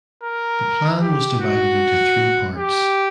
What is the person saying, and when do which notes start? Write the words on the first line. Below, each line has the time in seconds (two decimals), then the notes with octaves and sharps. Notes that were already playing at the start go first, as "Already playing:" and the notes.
The plan was divided into three parts.
0.23 A#4
1.01 G4
1.40 F#4
2.57 G4